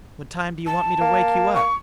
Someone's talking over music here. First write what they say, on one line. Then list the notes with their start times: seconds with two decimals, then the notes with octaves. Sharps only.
"What time d'you want me to wake you up?"
0.66 A5
1.01 A#3
1.55 C#6